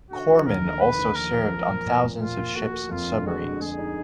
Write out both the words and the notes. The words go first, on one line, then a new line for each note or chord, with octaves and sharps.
Corpsmen also served on thousands of ships and submarines.
D3 F#4
F3
D#2 A#4
D3
D3 B4
D#2
F3 A#4
F3
A#3
A#2
A#2
A#2
A#2 F4
A#2
A#3 F#4
A#3
F2 F4
D3
G#3 F#4
D3
G#3 G#4
D#4